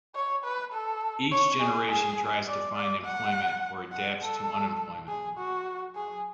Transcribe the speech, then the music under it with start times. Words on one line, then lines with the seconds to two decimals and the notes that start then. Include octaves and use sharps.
Each generation tries to find employment or adapts to unemployment.
0.15 C#5
0.44 B4
0.73 A4
1.31 C#5
1.60 G#4
1.89 G#4
2.47 D5
2.76 D5
3.05 F#5
3.92 F#5
4.21 A4
5.08 G#4
5.37 F#4
5.95 G#4